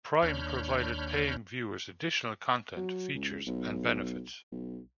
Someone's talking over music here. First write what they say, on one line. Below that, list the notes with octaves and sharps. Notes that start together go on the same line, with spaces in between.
Prime provided paying viewers additional content, features, and benefits.
D#2 D4 C#5 B5 F6 G6
F#3
C#2
B1
B1